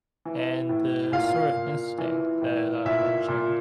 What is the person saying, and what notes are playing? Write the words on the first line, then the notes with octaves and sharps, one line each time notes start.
and the sort of instinct that I mentioned.
E3
A2
A#2 F5
A#2
E3
A2
A#2 E5
A#2